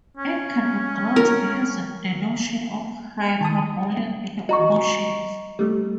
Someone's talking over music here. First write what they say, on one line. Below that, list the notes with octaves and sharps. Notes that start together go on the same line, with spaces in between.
It can be grasped using the notion of hyperbolic motions.
C#4
A#4
D#3 A5 D#6
F#4 D#5 A#5 C#6
G3 A3